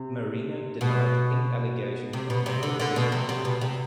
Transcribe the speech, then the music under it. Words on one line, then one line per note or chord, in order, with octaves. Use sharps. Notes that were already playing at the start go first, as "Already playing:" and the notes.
Merino denied any allegations of nepotism.
Already playing: C3
B2
C3
B2
C3
D3
D3
B2
C3
C3
B2
C3